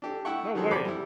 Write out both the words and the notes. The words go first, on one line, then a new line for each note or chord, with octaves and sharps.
No way.
D4 G4 A4
E4 E5 F#5 G5 C#6
D#3 F#3 G3 G#4 A4 C5
E2 C5 D5 B5 D6
G3 E4